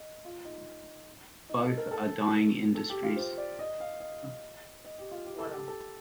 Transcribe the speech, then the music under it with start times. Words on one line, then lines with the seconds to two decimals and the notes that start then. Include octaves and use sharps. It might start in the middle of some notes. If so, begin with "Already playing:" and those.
Both are dying industries.
Already playing: D#5
0.25 F4
0.45 D#4
1.49 D#4
1.64 A4
1.77 A#4
1.91 A4
2.75 A4
2.90 G4
3.03 F4
3.16 C5
3.38 D5
3.59 D#5
3.80 F5
4.00 D#5
4.85 D#5
4.98 G4
5.11 F4
5.26 G4
5.38 A4
5.52 G4
5.68 A4